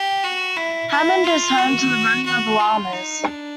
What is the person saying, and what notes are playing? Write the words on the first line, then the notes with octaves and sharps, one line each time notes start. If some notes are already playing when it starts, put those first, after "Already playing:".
Hammond is home to the Running of the Llamas.
Already playing: G4
F#4
E4
E4
F4
F#4
F#4
F4
D#4
D4